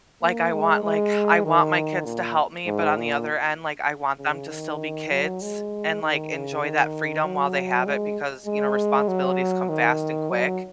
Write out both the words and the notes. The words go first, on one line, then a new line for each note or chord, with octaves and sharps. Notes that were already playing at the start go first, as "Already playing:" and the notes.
like, I want, like, I want my kids to help me, but on the other end like I want them to still be kids, and like, enjoy that freedom while they have it because, you know, responsibilities come fast and quick,
A#3
G#3
G#3
D#3
A#2
G#2
A#2
C#3
D#3
F#3
G#3
D#3
C#3
D#3
F#3
G#3
G#3
F#3
D#3
F#3